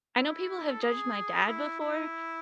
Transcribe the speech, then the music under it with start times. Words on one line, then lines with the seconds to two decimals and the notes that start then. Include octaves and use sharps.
I know people have judged my dad before
0.16 E4
0.70 A4
0.82 G#4
1.48 E4
1.81 E4